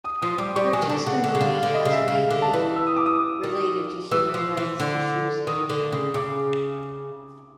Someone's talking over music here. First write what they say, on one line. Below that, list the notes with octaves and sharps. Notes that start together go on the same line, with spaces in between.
Her testimony has mainly related to Human Rights Issues in China.
D#6
F3 D#6
G3 D6
G3 C#6
F#3 G#5
D#3
D3
C#3 F#5
D3
C#3
D3 F5
D3 F5
D#5
C#3
E5
C#3 F5
D3
A5
E3
E6
D#6
D6
D#6
D#3
E3 E6
F3
E3
D3
D#3 D#6
D3
C#3
C#3 D6